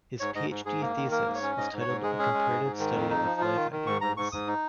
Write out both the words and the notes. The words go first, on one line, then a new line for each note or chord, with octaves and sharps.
His PhD thesis was titled "A Comparative Study of Life Ideals".
G#2 C#5
G#2 D#5
G#2
G#2 G#4
A#3
D#3
A#3 A#4
G#2
C#5
C#4
G#2 D#5
G#2
C#5
G#2
G#3 G#4
C#4 G#4
G#3
G#2
G#2
D#3
F2
D#4
F3
F4
D#3
D#3
G#2 C#6
G#2 A#5
G#2 C#6
G#2 D#6
D#4